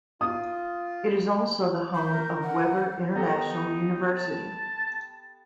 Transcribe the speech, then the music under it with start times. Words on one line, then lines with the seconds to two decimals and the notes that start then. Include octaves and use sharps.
It is also the home of Webber International University.
0.21 F4 D#6
1.95 E5 G6
2.11 A#4
2.43 F#5
3.16 B3 G4 A4 A#5
3.52 D#4
4.17 A5